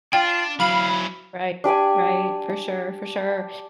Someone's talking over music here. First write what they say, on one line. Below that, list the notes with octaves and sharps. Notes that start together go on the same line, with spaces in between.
Right, right, for sure, for sure.
D4 F4 G5
F#3 E4 F5 B5
D4 G4 D5 G#5